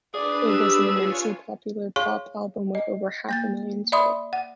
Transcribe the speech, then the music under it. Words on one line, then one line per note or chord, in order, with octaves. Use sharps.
It was an immensely popular pop album with over half a million sold.
D4 G#4 B4 D5
G4 E6
F4 C#5 G#5
G#4 C#5 F5 C6 C#6
D#5
A#3 G6 A6
D5 E5 B5 C6 D#6
F#5